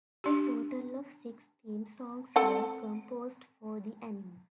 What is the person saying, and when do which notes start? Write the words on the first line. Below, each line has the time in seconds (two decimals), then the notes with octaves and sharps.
A total of six theme songs were composed for the anime.
0.24 D4 G4
2.36 C4 A4 F#5